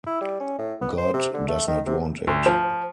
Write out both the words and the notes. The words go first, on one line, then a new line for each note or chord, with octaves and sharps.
God does not want it!
E4
G3
C#4
A2
B3
C5
C3
D3
A3
D#3
C3
D2
F3